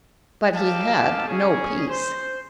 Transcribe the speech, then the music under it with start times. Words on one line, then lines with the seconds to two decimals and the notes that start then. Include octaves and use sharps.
But he had no peace!
0.54 D#4 G4 A4 F5 A5
1.27 C#4 G#4
1.88 C5